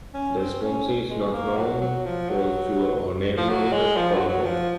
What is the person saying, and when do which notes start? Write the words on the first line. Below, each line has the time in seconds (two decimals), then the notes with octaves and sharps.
The sponsor is not known for sure or named on the colophon.
0.14 C#4
0.37 C4
0.62 C#4
1.10 G#3
1.33 A#3
1.57 F#3
1.81 F#3
2.06 F3
2.29 F#3
3.37 F3
3.49 F#3
3.72 G#3
3.97 F3
4.13 F#3
4.28 F#3
4.45 F3